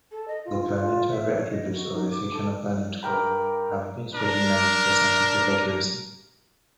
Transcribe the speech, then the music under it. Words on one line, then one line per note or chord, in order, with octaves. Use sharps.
The planetary attributes of the fictional planet Hoth have been scrutinized for scientific accuracy.
A4
D#5
F4
F4
E5
C#5
D#5
F#4
D#4
D6
A4
G2 A#4 G5 B5
D4 A#4